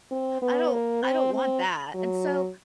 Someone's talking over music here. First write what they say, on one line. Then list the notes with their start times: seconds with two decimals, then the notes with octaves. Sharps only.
I don't I don't want that," and so
0.11 C4
0.42 B3
0.72 A#3
1.03 C4
1.33 C4
1.95 F#3